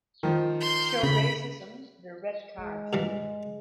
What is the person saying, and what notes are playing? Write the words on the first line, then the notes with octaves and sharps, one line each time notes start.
Show Racism the Red Card.
D#3 F3
C6 G6
C#3 B5
G#3
G2 A#2 E3